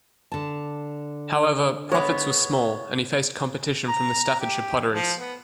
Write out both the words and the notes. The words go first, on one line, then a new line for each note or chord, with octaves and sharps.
However, profits were small and he faced competition from the Staffordshire Potteries.
D3 A5
G#3 B3 C#5
A#5
G4
F3
B3